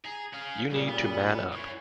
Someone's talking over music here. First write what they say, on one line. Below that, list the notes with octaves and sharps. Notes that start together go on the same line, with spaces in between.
You need to man up!
G#4 A#5
C#4 G#4 F5
B1 A#2 C#3 G3
B3
F#2 E3 C#5